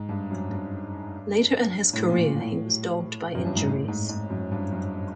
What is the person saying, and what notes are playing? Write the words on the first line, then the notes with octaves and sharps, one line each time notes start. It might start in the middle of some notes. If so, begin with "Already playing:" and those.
Later in his career he was dogged by injuries.
Already playing: G#2
G2
F#2
G2
A2
A#2
A2
F#2
G2
G#2
A2
G#2
G#2
F#2
G2
F#2